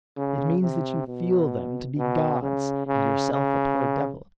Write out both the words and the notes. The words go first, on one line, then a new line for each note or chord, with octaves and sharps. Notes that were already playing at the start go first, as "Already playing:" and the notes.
It means that you feel them to be gods and yourself a poor devil.
C#3
C3
B2
B2
C#3
C#3
C#3